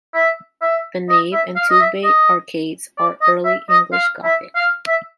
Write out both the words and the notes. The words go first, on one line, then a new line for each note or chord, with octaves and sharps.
The nave and two-bay arcades are Early English Gothic.
E5
E5
D#5
E5
F5
D#5
E5
D#5
D5
D#5
E5
D#5
F5
E5
F5
E5